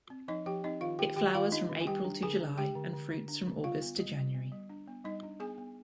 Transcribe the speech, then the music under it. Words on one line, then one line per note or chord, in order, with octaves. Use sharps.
It flowers from April to July and fruits from August to January.
C4
F3 D#4 D#5
F3 G4 G5
C4 D#4 D#5
D#3 F4 F5
D#3 G4 G5
D#3 G4 G5
D#3 F4 F5
D4 D#4 D#5
D#3
G#5
G3 G4 G5
D4
D3 G#4 G#5
D4
G#3 G4 G5
D3
D3
D3
D4
D3
G3 F4 F5
B3
G3
G3
B3
G3
D4
B3
G3 D#4 D#5
D4
B3 G#4 G#5
B3